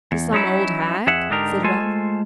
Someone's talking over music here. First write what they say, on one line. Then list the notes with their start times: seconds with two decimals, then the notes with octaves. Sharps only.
'To some old hag?' said Ralph.
0.12 E2
0.33 F#3 C#4 D#4 E4
1.07 F2 G#4 E5 F#5
1.30 G#2 D3 D4 D#4 G4 A#4
1.64 G#3 A3 F4 A4 C5 G#5